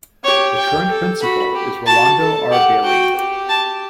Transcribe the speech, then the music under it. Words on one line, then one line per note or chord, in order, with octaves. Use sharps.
The current principal is Rolando R. Bailey.
G4 C#5
G5
A4
F#4 B5
G4
F#4 A5
A4
G4 F#5
F#4 G5
G4
A5